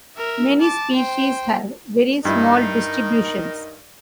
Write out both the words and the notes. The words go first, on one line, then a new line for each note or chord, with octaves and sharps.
Many species have very small distributions.
A#4 E5
A5 D6
C5 G5
G2 D#4 E4 A#4